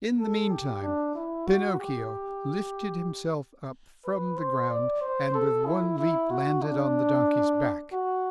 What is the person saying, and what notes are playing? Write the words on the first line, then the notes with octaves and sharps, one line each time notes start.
In the meantime, Pinocchio lifted himself up from the ground, and with one leap landed on the donkey's back.
A4
G4
D4
E4
F#4
G4
B4
C5
D5
C5
A4
E4
E4
F#4
D4
F#4